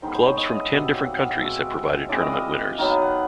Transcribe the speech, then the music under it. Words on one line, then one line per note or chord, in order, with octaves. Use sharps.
Clubs from ten different countries have provided tournament winners.
D#3 G#3 B3 C5
C5
C#5
D#5
E5
D#5
B2 G3 C4 E5
F5
F#5
F5
E5
B2 G#3 C4
E3 G#3 C4 D5
D#5
F5
D#3 F#3 B3 F5
F5
F#5